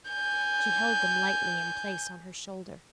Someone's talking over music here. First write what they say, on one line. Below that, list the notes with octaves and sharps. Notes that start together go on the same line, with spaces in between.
She held them lightly in place on her shoulder.
G#5 G6